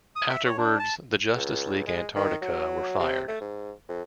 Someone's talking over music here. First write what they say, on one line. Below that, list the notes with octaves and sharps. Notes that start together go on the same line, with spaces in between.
Afterwards, the Justice League Antarctica were fired.
D#6
E5
C#5
D4
A5
C#2
G#3
D#3
F#3
C3
A3
G#2
F2